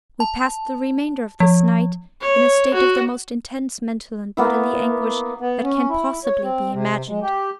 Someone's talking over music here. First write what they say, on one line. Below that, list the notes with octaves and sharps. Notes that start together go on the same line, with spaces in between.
We passed the remainder of this night in a state of the most intense mental and bodily anguish that can possibly be imagined.
A5
F3
C#5
F#4
A#3 B3 E4
B3
C#4
E4
C#5
C4
C3
G#3
G4